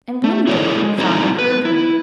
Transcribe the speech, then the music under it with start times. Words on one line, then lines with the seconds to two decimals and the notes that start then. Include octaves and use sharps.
And one day father heard her.
0.24 A3
0.47 E4 F#4 G#4 A4 C#5 D5
0.81 G#3
0.98 C4 D#4 E4 F#4 A4 A#5
1.39 B4
1.65 E4